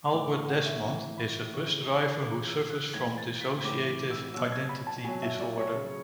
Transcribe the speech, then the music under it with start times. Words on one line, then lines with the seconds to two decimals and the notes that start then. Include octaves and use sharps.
Albert Desmond is a bus driver who suffers from dissociative identity disorder.
0.13 A2 E3 D6
0.30 C#6
0.48 F#5
0.66 E5
0.83 A2 E3 F#5
1.18 B5
1.53 C#3 E3 C#6
2.23 C#3 E3 D6
2.47 E6
2.70 F#6
2.94 A2 E3 G#6
3.18 A6
3.41 B6
3.64 A2 E3 D6
3.88 D6
4.11 E6
4.34 B2 F#3 E6
4.52 G#6
4.69 B5
4.87 A5
5.04 B2 F#3 G#5
5.23 E5
5.40 D5
5.58 C#5
5.75 C#3 F#3